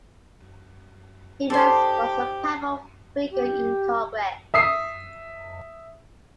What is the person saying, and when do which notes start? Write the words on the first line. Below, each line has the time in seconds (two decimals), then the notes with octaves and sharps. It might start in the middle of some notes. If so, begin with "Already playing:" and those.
Evins was a powerful figure in Congress.
1.50 D#4 G4 A4 C5 D5 C6
3.31 G4
4.54 E5 D#6 C7